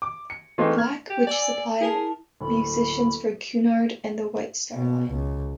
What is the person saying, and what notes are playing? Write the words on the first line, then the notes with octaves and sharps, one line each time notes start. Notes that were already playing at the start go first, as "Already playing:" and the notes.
Black, which supplied musicians for Cunard and the White Star Line.
D6
C#7
E3 G#3 A3 C4 D#4 F4
F6 G#6
G4
D5 G#5 D6 E6
E4 G#4 A#4 A5
D1 B5
B2
C#2